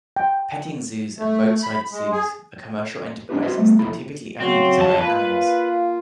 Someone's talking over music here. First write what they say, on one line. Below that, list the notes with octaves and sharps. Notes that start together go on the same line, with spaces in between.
Petting zoos and roadside zoos are commercial enterprises that typically only display animals.
G5
A3
B5
G#3
G#4
C#4 D4 E4 G4 B4
F#4 B4 C5 D#5 E5
G3 A3 B3
C2 F2 A#3 E4 A4 B5
C#3 F#3 C4 F#4
F2 A5
A#3 F4 B4